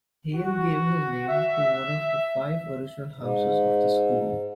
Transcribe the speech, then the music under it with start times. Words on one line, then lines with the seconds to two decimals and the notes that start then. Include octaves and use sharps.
Hale gave his name to one of the five original houses of the school.
0.33 F#4
1.26 E5
3.15 G#2